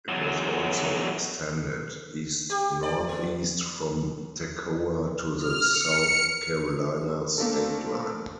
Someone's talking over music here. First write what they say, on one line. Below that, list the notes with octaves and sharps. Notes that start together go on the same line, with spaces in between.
It was also extended east-northeast from Toccoa to the South Carolina state line.
E2 F#3
G4
D5
B3
F6
C#7
A3 A#3 C4 D4 A4